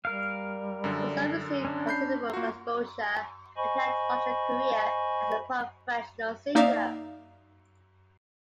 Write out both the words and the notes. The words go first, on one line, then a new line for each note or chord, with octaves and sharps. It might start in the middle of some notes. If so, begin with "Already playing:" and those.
The song received considerable exposure and helped launch her career as a professional singer.
G3 A#4 F5
F#2 D3
C#4 D4
B5 G6 C7
A#3 F4 F#4
C5 D#5 G#5 B5 C#6
A#3 D#4 D5 E5 F5